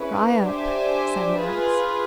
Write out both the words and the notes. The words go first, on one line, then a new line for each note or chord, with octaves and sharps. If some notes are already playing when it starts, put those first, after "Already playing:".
"Dry up," said Max.
Already playing: C#4 E4 G#4 B4
D4 G4 C5 E5 G#5
F4 G#4 B4